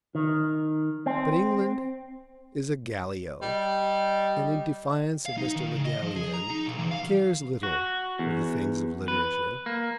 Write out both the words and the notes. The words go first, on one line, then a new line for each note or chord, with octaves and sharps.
But England is a Gallio, and in defiance of Mr. Le Gallienne, cares little for the things of literature.
D#3
C4
G3 D#5
F5
D#4
D#3
C#3
D#5
F3
G#4
A#5
D#4
B1
E2
F5
F#4
E2
B4
A#3